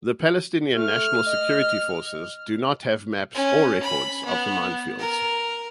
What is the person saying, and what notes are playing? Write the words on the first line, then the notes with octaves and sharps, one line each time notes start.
The Palestinian National Security Forces do not have maps or records of the minefields.
A3 F6
D#5
C#4
B5
B3
A#4